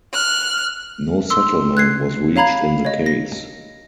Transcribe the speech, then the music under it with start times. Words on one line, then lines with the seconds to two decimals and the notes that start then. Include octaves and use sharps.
No settlement was reached in the case.
0.13 F6 F#6
1.30 C6 E6
1.77 F#6 G#6 C7
2.36 C#5 F5 A#5 B5 G#6 C7
2.85 C#5 D#5
3.06 A#6